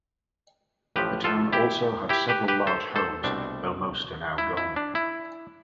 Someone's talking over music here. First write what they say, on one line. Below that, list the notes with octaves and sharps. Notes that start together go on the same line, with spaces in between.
The town also had several large homes, though most are now gone.
A1 A2 F3 G4 B4
F4 A4
E4 G4
E4 G4
G4 B4
G4 B4
A4 C5
A4 C5
C2 B2 A3 C4 D4
E4
E4
D4
E4